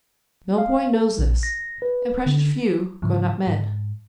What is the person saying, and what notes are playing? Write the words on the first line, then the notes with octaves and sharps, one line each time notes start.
No boy knows this--and precious few grown up men.
F5
A4
A#1
A#6
B4
D3
G#2 C#3 E3 F3
G#2